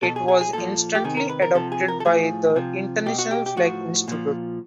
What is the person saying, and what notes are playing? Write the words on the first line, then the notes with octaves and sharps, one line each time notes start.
It was instantly adopted by the international Flag Institute.
B2 A4
G#4
G#4
G#4
A#2 F3 A4
G4
C3 D#3 G#4
A#4
B4
A#4
C3 F3 A4
G#4
A#4
A4
A2 F3 G#4
C3 F3
B2 G4
F#4
G4
G4
A2 F3 F#4
A#2 F3